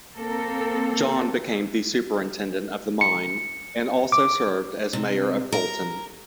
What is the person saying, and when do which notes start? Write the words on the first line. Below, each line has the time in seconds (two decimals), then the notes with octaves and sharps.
John became the superintendent of the mine, and also served as mayor of Coalton.
0.16 A#3 C4 A4 A#4
3.01 C#7
4.12 D6
4.93 C3
5.52 A#4